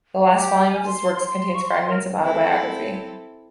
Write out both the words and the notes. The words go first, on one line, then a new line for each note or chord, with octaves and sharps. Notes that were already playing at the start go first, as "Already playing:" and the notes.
The last volume of his works contains fragments of autobiography.
F5
G4
G#5
C6
C6
C#6
C6
A#4
C4 E4 A4